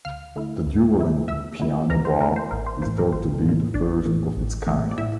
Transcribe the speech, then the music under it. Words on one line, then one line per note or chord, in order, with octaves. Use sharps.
The dueling piano bar is thought to be the first of its kind.
D2 F5 F6
D3 A3 E4
D2
D3 A3 E4
D2 E5 E6
D3 A3 E4
D2 A#4 A#5
C5
D3 A3 E4 A#4
C5
A1 A#4
C5
A2 E3 A#3 C5
A#4
A1 C5
A2 E3 A#3
A1 D4 D5
A2 E3 A#3
A1
A2 E3 A#3
D5
A2 E4 E5